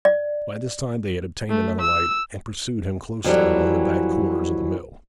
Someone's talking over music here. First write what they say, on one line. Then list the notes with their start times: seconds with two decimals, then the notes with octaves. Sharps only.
By this time they had obtained another light, and pursued him closely along the back quarters of the mill.
0.05 D5
1.50 A3
1.81 E6
3.24 F2 E3 F#3 G3